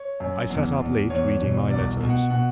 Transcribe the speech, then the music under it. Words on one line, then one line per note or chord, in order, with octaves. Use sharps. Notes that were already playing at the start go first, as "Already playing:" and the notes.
I sat up late reading my letters.
Already playing: C#5
F#2
E2
E2
E2 C#5
B2
C2 D5
B2
F#5
B2 F#5